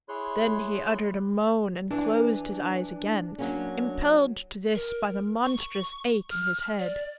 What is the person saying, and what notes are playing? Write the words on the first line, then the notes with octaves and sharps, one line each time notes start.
Then he uttered a moan, and closed his eyes again, impelled to this by the monstrous ache in his head.
E4 G#4 C#5 C6 F#6
E3 D4
F#3 A#3 C#4
A#4
C#6
F6
D5